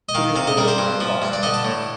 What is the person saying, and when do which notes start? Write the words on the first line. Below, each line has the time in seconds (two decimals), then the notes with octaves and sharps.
Petersburg and Boston.
0.09 D#5
0.15 D#3 F5
0.36 C3 F5
0.47 D#5
0.57 G3 A#4
0.68 C5
0.78 G2
1.00 F3
1.22 G2
1.33 D5
1.43 D3 D#5
1.54 A5
1.65 A2